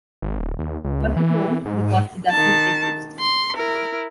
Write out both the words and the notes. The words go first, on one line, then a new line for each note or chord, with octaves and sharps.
But it won't, because it doesn't exist.
G#1
D1
D#2
C#2
E3
G#2
D#3 A5
C6
E4 A#4